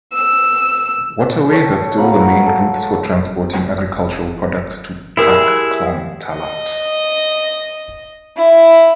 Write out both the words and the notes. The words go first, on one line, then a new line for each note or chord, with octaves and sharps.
Waterways are still the main routes for transporting agricultural products to Pak Khlong Talat.
E6
A4 C#5 G5
F#4 F5 A#5 B5
A4
E4 G4 G#4 A#4 C5 E5
D#5
E4